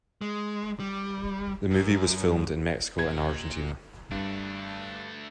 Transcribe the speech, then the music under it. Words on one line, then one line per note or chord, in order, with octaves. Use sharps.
The movie was filmed in Mexico and Argentina.
G#3
G3
F#2
A#2 G#6
G2 A3 D4